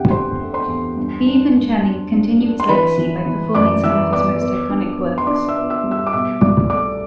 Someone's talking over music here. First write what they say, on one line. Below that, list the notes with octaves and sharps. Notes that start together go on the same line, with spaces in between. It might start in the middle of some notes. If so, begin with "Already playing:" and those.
Bibbe and Channing continue his legacy by performing some of his most iconic works.
Already playing: E2 D3 C4 G4 E5 F#5 G5
D3 C5 C6
A3
C5 C6
E2
G2
D4
G2
D4
G2
D4
C6
E3 B4 B5
E3
E3
F#2 D5 D6
E3 E5 E6
B3 D5 D6
B3
D4
B3
C6
D4 D5 D6
E5 E6
B3
E5 E6
G3
E5 E6
D6
B2 E5 E6
C2 D5 D6
A3 D5 D6